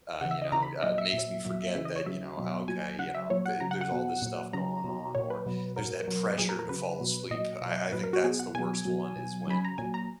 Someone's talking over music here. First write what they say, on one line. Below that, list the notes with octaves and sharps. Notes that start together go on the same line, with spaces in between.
uh, you know, uh, makes me forget that, you know, okay, you know, th there's all this stuff going on or there's that pressure to fall asleep. I I think that's the worst one is when
C#3 E3 F#5
E5
D#5
C#3 E3 A#5
B5
A#2 F#3 D#5
E5
A#2 F#3
A#2 F#3
C#3 E3 E5
D#5
C#5
C#3 F#3 E5
B2 F#3
A#2 F#3 G#5
C#3 F#3 F#5
E5
A#2 F#3 C#5
F#5
C#3 F#3 A#5
F#5
F#5
B2 F#3
A#2 F#3
C#3 F#3 A#5
B2 F#3
A#2 F#3 C#5
B4
B2 F#3
A#2 F#3 A#4
B2 F#3
A#2 F#3 G#4
A#4
A#4
C#3 F#3 B4
B2 F#3
A#2 F#3 D#5
B2 F#3
A#2 F#3 B4
A#4
F#4
B2 F#3 G#4
F#5
B2 F#3 G#5
B2 F#3
B2 F#3
C#3 F#3 B5
A#5
A#2 F#3 G#5
A#5